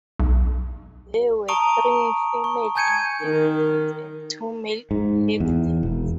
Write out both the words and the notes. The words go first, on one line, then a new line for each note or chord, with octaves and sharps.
There were three female inhabitants and two male inhabitants.
B1
A5 A#5 C#6 D#6 D7 F7
C#6
G#5 A5 G6 G#6 C#7 D#7
D#3
G#2
E2
E1